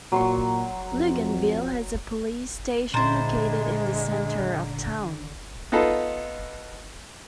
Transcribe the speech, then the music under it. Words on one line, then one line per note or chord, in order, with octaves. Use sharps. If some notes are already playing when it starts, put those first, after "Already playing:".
Luganville has a police station located in the centre of town.
A#2 F#3 C6 C#6
F2
A#2 D3 G#3 E4 C5 A#5 A6
B3 D#4 F4 A4 B4